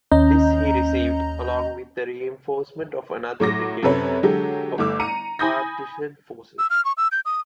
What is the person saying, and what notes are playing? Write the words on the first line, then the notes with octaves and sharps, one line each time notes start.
This he received, along with the reinforcement of another brigade of Partisan forces.
D#2 C#4 D#5 A#5 G6
A2 F#3 D6 A#6
F#2 C3 A4 B4 C#5
D3 F#3 G#3 G4 A4
G1 A3 D6 E6
A#5 C#7 D#7
G#5 B5 D#6 G6 A#6
E6
F6
C#6
E6
G6
D#6